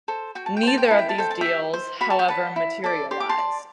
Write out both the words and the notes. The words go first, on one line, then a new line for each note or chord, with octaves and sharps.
Neither of these deals, however, materialized.
A4 C5
F#4 G5
A5
G5
C5 A5
G5
E4 A5
G5
A5
A4 C5 G5
A5
G4 E5 G5
C5
F#4 B5
A5
G5
B4 D5 F#5 A5
E4
A4 D5
G4 C6
D6
A5 C6
D5